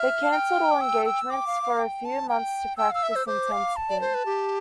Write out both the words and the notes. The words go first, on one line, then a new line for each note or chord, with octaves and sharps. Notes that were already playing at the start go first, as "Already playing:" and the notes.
They cancelled all engagements for a few months to practice intensively.
Already playing: E5 F6
F5
G5
D6
E6
E6
G5 D6
F5
F5
G5
A5
G5
G5 E6
F5 E6
E5
C5 E6
C5 D6
F5
A5
D5
C5
B4
G4